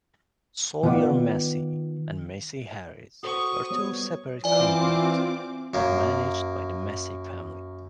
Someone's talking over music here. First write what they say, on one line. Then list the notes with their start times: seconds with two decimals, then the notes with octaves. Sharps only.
Sawyer-Massey and Massey-Harris were two separate companies, both managed by the Massey family.
0.83 D#3 B3 F4 B4 D5 F#5
3.23 F#4 A4 C5 C#6 D#6
3.70 G3 B3 C#5
4.44 E3 C4 F4 D5 G#5 D6
5.74 F#2 A#3